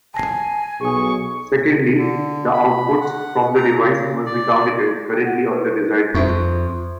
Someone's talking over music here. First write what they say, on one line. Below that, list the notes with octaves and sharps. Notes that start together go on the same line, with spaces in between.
Secondly, the outputs from the device must be targeted correctly on the desired tissue.
G#5 A5 A#6 C7
B1 G#4 C#6 D#6
D3
B5
F#5
A#5
C#3
D5
F#5
A#4 B4
F2 C5 E5 C#6